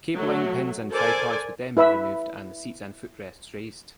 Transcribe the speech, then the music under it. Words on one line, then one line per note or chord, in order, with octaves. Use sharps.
Cabling, pins, and tripods would then be removed and the seats and footrests raised.
F#3 A3
A4 A#4 C5 D5 G#5
E4 B4 E5 B5 E6